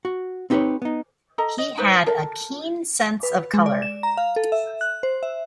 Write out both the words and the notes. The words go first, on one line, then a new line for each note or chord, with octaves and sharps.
He had a keen sense of color.
F#4
C4 D#4 G4 A#4 B4 C#5
B3 D#4
A4 D#5 A#5
D#5
D#4 B4 C5
A4 A#4
B4
G#3
D5
E7
A#5
F5
A4
E5
F#6
C5
E5